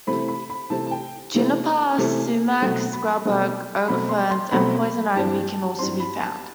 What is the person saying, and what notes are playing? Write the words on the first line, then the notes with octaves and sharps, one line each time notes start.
Juniper, sumac, scrub oak, oak ferns and poison ivy can also be found.
C3 E3 A3 C4 B5
B5
B5
C3 E3 A3 C4 A5
A5
G5
C3 E3 A3 C4
C3 E3 A3 C4
B2 F#3 A3 C4
B5
B2 F#3 A3 C4
B2 F#3 A3 C4 B5
C6
C6
B2 F#3 A3 C4 B5
G2 E3 G3 C4 A5
G2 E3 G3 C4 C6
B5
A5